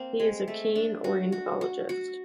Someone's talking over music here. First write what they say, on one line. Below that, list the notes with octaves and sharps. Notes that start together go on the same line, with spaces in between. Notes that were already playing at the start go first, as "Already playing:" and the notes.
He is a keen ornithologist.
Already playing: A#3 C4
G#3
A3
D4
F#4
F#4
F#4
F#4